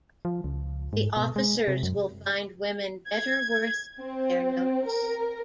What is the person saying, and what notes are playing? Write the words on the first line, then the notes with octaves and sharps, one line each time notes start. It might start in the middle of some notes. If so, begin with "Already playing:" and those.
The officers will find women better worth their notice.
F3
C#2
G#2
B2
G#3
C3
F#2
G#6
C4
A#4